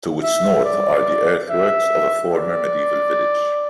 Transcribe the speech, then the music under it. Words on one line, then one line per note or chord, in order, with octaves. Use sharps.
To its north are the earthworks of a former medieval village.
E5
D5
E5
D5